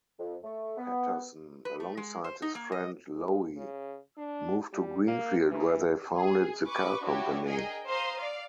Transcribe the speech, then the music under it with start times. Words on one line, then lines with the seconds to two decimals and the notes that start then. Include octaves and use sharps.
Patterson, alongside his friend Lowe, moved to Greenfield where they founded the car company.
0.19 F2
0.44 A3
0.77 B3
1.65 B4
1.80 A3
1.97 G#3
2.24 C5
2.42 D#4
2.55 A#3
2.72 D#5
3.15 G#3
3.56 C#3
4.18 D4
4.73 G3
5.07 A#3
5.50 E3
6.16 G#4
6.66 B4 C#6 D6
7.02 D4 E4 F#4 G4 C#5
7.46 G#4 A#4 D#5 G5
7.86 C5 F5 A#5 C6 D#6
8.16 D5 F5